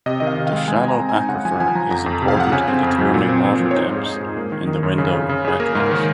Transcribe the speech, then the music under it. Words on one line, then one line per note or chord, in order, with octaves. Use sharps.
The shallow aquifer is important in determining water depths in the ‘window’ wetlands.
C3 D#5
D#3 D#5
F5
C3
F5
G#3
G#3 G#5
G#3 A#5
C4
G#5
D#4
C#3 F#5
F3 G#5
F3 G#5
F3 A#5
F2 A#5
F2
C3
F5
F3 F#5
C#3 G#5
C4
F2
F#3
A#2
C4
F3
F3
C#5
D#4 C5
G#2
G#4
D#4
G#2 G#4
A#3
D#3
D#3
F#2
C#3
C#3
C#3
C#3 G#4
A#3 A#4
G#2 A#4
D#3